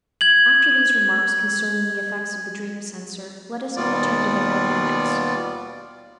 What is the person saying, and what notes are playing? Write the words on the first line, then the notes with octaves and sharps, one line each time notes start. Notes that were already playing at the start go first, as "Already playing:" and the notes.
After these remarks concerning the effects of the dream censor, let us now turn to their dynamics.
G#6 F#7
D#2 B2 G3 B3 F4 D5